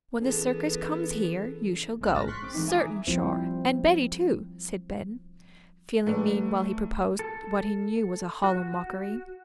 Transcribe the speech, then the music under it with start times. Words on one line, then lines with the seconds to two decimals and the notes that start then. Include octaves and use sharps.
"When the circus comes here you shall go, certain sure, and Betty too," said Ben, feeling mean while he proposed what he knew was a hollow mockery.
0.21 E3 B3 C#4 G#4 A4
2.00 B1 G#3 C4 F#6
2.12 A#1 A2 F6 A6 A#6
2.27 C6 C#6 F#6 B6
2.42 G#1 C4 D6
2.54 D#3 E3 G#3 A3 B3 D#4
2.68 E5 G#5 A#5 D6 D#6
3.07 F3 G3 C4 E4 F4 C5
6.07 A#1 A3 B4 D5
7.19 A4
8.44 F#4